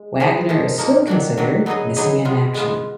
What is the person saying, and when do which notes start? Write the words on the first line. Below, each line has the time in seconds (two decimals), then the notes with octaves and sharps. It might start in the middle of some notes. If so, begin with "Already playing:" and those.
Wagner is still considered missing in action.
Already playing: G#3
0.20 B3 F4 G#4 D5
0.49 A#2 F3 A#3 D#4
0.78 A#2 F3 A#3 D#4
1.08 D#3 F#3 D4 F#4
1.37 D#3 F#3 D4 F#4
1.66 F#3 B3 D#4 G#4 D#5
1.96 F#3 B3 D#4 G#4 D#5
2.25 G#3 B3 F4
2.54 G#3 B3 F4